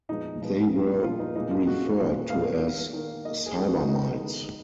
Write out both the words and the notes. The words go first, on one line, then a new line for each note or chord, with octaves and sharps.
They were referred to as cybermites.
A#2 F3 G#3 B3 D#4
A#2 F3 G#3 B3
A#2 F3 G#3 B3
A#2 F3 G#3 B3 F4
D#4
A#2 G#3 B3 D#4
F4
A#2 G#3 B3 F#4
A#2 G#3 B3
A#2 G#3 B3 F5
D#3 A#3
D#3 A#3
D#3 A#3 D#5
G#4
D#3 A#3 G#4
F#4
D#4
D#3 G#3 B3 D#4
D#3 G#3 B3